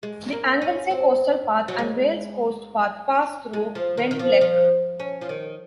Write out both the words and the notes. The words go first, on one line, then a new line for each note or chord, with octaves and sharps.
The Anglesey Coastal Path and Wales Coast Path pass through Benllech.
G#3
A#3
C#4
C4
F#3
G#3
G#3
F3
D#3
D#3
F3
F3
C#4
F3
D#3